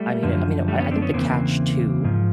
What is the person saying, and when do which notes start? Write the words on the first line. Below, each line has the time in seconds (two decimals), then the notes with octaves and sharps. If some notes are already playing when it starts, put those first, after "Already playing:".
I mean I mean, I I think the Catch Two
Already playing: G3 A3
0.23 F#2 D3 F3
0.68 G3 A3
0.80 B3 C#4
0.91 C4 D4
1.02 B3 C#4
1.13 E2 C#3 E3 A#3 C4
2.04 G#2 F3